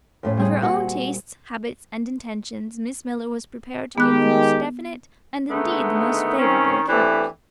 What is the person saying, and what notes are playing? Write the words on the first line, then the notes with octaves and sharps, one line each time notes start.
Of her own tastes, habits, and intentions Miss Miller was prepared to give the most definite, and indeed the most favorable account.
F2 A2 C#4
G3 C4 G#4
A#2 F#4 G#4 F#5
D#3 G#3 B3 G4 F#6
D3 D#3 G#3 A3 B3 D#4
D#3 C4 C#4
E3 A3 B3 C4 D4 G4